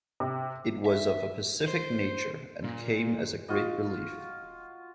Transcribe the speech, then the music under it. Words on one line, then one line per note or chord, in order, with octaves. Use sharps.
It was of a pacific nature, and came as a great relief.
C3
E5
C5
A#2
F4 F#4 D#5